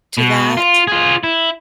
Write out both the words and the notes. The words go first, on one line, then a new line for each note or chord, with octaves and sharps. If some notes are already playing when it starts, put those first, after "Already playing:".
to that.
B2
F4
F4 G#4
E4